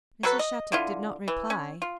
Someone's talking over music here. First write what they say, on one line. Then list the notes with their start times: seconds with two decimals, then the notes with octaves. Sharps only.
Mrs. Shattuck did not reply.
0.23 F#3 F#4 A4 B4
0.39 D#5
0.72 D3 E4 F4
1.28 E3
1.50 C#4
1.82 F4